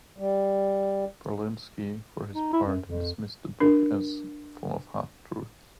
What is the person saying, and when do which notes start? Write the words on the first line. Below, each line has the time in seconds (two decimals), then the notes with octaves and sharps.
Berlinsky, for his part, dismissed the book as "full of half truths".
0.18 G3
2.35 D#4
2.53 E4
2.67 F#2
2.84 F2
3.60 D4 A#4